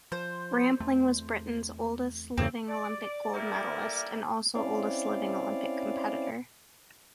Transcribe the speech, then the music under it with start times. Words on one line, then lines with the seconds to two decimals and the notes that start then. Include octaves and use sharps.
Rampling was Britain's oldest living Olympic Gold medallist and also oldest living Olympic competitor.
0.12 F3 C5
0.80 E2 A3 C4
2.38 E2 G2 C#3 C4
2.68 D5
3.34 G3 A3 A#3 E4 A#4 D5
4.55 C4 C#4 E4 D5 F5